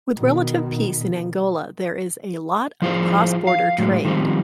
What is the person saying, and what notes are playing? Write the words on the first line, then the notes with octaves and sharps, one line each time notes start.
With relative peace in Angola there is a lot of cross border trade.
B2 D#3
F3 E4 F4 G#4 C5
F5
A2 F#3 G#3
D#3 F3 G3 C4